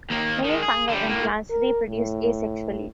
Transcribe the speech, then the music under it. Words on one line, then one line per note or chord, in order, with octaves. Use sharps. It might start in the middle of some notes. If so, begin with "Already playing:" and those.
Many fungi and plants reproduce asexually.
D#2 A#3
D#3 G#3
G#4
D3 G3
A2 A#3
A#4
A2